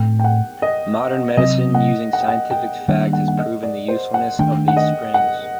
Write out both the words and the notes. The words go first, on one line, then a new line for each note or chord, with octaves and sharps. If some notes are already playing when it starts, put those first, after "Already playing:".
Modern medicine using scientific fact has proven the usefulness of these springs.
Already playing: A2 A3 C4 G5
G5
F#5
D#5
C3 F#3 C4 D#5
F#5
F#5
G5
F#5
G5
D#3 G3 A#3 D4 F#5
F#5
F#5
D#5
D5
C5
F#5
D#3 A3 D4 G5
F#5
D#5
F#5